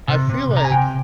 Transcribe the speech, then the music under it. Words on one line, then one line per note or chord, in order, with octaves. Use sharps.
I feel like
C3
C3
C3
A#5
G#5
C3 G5